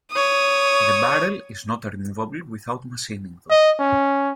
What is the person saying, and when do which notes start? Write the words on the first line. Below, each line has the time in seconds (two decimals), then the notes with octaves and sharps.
The barrel is not removable without machining, though.
0.11 C#5 D#6
3.50 D#5
3.80 C#4